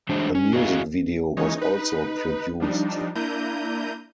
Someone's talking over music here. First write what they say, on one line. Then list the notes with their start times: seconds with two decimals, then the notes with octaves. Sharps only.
A music video was also produced.
0.09 E3 F#3 G#3 A3 D4 C5
0.35 C#4
0.52 E4 F#4 G#4 A4 D#5 F5
1.37 E3 G#3 C#4 D#4 C#5 D#5
1.58 D#4 B4
2.60 F3 G3 D4 D#4
3.15 A#3 D4 E4 A#5 G6 D#7